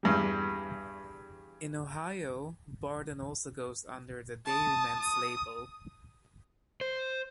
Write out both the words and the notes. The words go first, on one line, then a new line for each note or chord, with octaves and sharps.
In Ohio, Borden also goes under the Dairymens label.
E2 G2 G3
A5 D#6
D#6
C5